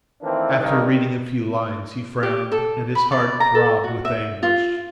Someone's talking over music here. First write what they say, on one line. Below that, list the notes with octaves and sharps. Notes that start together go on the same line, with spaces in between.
After reading a few lines he frowned and his heart throbbed with anguish.
D#3 E3 A3 A#3 C4 D4
G2 C3 D#3
G4
A4
B5
D5
A#5
A4
F#4
E5
F4